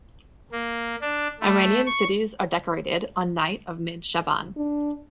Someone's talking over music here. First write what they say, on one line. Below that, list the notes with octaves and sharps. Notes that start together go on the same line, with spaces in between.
Iranian cities are decorated on night of Mid-Sha'ban.
A#3
D4
A3
C#6
D4